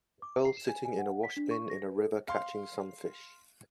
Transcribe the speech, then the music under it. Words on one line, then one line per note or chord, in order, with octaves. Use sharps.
A girl sitting in a wash bin in a river catching some fish.
D6
C7
E7
G#5
G#5
F#5
B6
D4
C#6
A#6
B4
A4
F5 C6